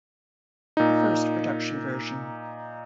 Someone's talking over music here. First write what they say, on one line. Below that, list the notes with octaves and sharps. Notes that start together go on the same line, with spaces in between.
The first production version.
A#2 D#4